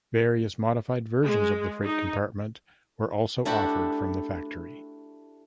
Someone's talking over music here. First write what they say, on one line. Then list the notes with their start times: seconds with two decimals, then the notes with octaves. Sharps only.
Various modified versions of the freight compartment were also offered from the factory.
1.23 G#3
1.83 D#4
3.45 A3 D4 E4 F#4 G4 A4